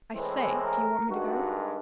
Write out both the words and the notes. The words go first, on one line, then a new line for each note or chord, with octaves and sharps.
"I say--do you want me to go?"
A2 E3 G#3 C4 B4
A#4
G2 D#3 G#3 F#4